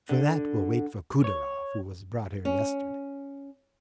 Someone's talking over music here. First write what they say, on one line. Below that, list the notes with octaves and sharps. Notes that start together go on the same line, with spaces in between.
For that we'll wait for Kudeyarov who was brought here yesterday.
D3
C#5
C#4